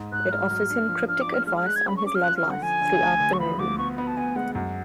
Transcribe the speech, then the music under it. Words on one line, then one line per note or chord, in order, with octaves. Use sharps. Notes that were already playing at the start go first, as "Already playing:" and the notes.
It offers him cryptic advice on his love life throughout the movie.
Already playing: G#2
G#2 F#6
G#2 F6
F#3
D4
F3
D4 F6
D6
D4
F6
G#3 F6
F6
G#3 F#6
G#6
C#4 B5
C#6
C#4 D6
F6
F4 F#6
F6
D3
F#5
F3 G#5
D3
D2
D2
C#6
F3 B5
D2 D6
B3 C#6
B3 B5
A5
B3 G#5
G#3 F#5
F#2 F#5